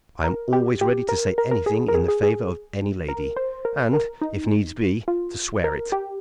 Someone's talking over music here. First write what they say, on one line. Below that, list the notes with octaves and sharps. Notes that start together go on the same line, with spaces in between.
I am always ready to say anything in the favor of any lady, and, if needs be, to swear it.
A#4
G4
G4
A#4
A#4
A#4
G#4
A#4
G#4
G#4
G#4
A#4
C5
A#4
A#4
D#4
F4
A#4
G4